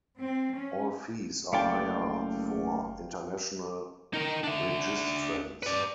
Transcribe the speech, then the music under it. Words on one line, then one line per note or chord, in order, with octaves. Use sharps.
All fees are higher for international registrants.
C4
C#4
F#1 A3 D5 F5 G5 A5
D#4 A#4
D4 E5
B4 D5